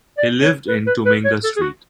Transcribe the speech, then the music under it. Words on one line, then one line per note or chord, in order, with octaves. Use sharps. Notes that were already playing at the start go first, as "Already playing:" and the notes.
He lived in Toominga street.
D5
C#5
B4
B4
B4
C#5
A4
G#4
F#4